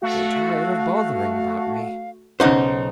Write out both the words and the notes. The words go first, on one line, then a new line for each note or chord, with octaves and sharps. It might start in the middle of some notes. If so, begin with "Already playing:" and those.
You're tired of bothering about me.
A3 F#4 F5
B1 C#3 D#4 C5 F#5